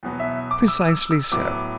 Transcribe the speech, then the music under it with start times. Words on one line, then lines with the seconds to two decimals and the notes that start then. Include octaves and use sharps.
"Precisely so."
0.03 E2 B2 F#3 B3
0.20 E5
0.51 D6
0.68 E6
0.89 E6
1.11 E6
1.32 A2 F#3 B3 D6